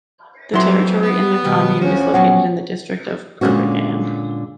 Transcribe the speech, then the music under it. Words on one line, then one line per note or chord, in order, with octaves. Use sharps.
The territory in the commune is located in the district of Perpignan.
F2 E3 F#3 E4 E5 C6
B3
B2 D#3 G3
D2 F3 C#4 F#4
A#2 F#3 B3 F#5
A#2 D3 G#3 C#4 F#4